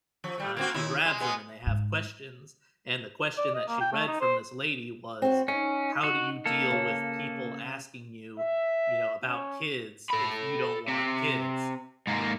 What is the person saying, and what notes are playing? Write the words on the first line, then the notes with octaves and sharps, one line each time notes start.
uh, and she grabs 'em, and they have questions, and the question that she read from this lady was, "How do you deal with people asking you, you know, about kids, if you don't want kids?"
F3
G3 A3
A#3 C4 F#4
D#2 D#4 E4
G#3
G#3 B3
G#2
D5
D#5
A#3
G5
A3
D#4
C5
C4 F#4
C#4 D#4
F#4
A#3 A4
C#3
E5
C#4
A4 B5
C3
G#2 A#3